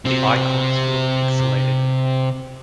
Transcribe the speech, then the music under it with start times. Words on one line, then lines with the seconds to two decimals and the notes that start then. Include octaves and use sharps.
The icons look pixelated.
0.05 C3 C4